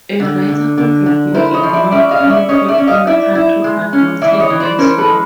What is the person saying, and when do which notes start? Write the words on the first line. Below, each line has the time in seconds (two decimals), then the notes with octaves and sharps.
A writer who had been ignored in her own country but noted elsewhere.
0.20 D3
0.48 D3
0.78 D3
1.06 D3
1.34 E4 A#4 C5
1.54 C#5 D#5
1.63 F3
1.73 D5 E5
1.92 C#4 D5 E5
2.11 D#5 F5
2.20 C#4
2.30 D5 E5
2.49 C#4 C#5 D#5
2.68 D5 E5
2.78 C#4
2.87 D#5 F5
3.07 E4 D5 E5
3.35 E4
3.64 G#3
3.93 C#4
4.21 E3 D5 E5
4.40 C#5 D#5
4.50 E3
4.60 C5 D5
4.78 C#4 A#4 C5
4.98 A4 B4
5.07 G#3